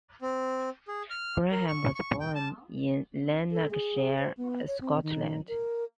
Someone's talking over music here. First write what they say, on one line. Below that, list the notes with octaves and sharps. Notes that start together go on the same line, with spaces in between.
Graham was born in Lanarkshire, Scotland.
C4
G#4
F6
A#4
C#6
C#6
G5
A5
A4
G#4
C5
B3
C#5
C4
D#3
A#4